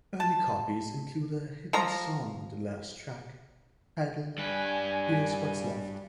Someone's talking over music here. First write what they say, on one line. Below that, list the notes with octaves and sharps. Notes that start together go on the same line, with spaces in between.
Early copies included a hidden song on the last track, titled Here's What's Left.
A5
F3 A#5
G2 B4 D5 G#5